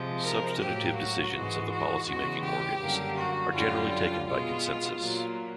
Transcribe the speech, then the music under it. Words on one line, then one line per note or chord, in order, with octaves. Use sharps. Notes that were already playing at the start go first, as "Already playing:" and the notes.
Substantive decisions of the policy-making organs are generally taken by consensus.
Already playing: C3 F3 G#3
A#4
A2 F#3 A#3 G4
F#4
G#2 E3 G#3
F#4
E2 C#3 E3 G#3 F#4
G4
F#2 D3 G3 A#3
F#4
F#2 D3 G3 F4
F4
B2 G#3 F4
A#2 F#3 A#3